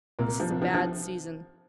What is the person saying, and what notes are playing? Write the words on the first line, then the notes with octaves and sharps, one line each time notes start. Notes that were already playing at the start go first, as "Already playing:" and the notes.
This is a bad season.
C2 A#2 A#3
F3
C2
F3
F3